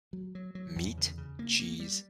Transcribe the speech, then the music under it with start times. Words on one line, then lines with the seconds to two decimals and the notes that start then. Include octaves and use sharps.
meat, cheese,
0.13 F#3
0.35 F#3
0.55 F#3
0.76 E2
0.97 C#3
1.18 C#3
1.39 A#3
1.60 A#3
1.80 G3